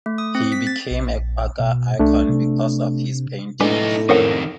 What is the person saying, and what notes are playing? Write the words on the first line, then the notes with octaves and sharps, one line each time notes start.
He became a Quaker icon because of his paintings.
A3
D#6
C4
B6
A6
A#1
B2
C2 A3 D4
C3
A2 G#3 B3 D4 D#4 B4
F2 D#3 C#4 A4 A#4 C5 C#5 F#5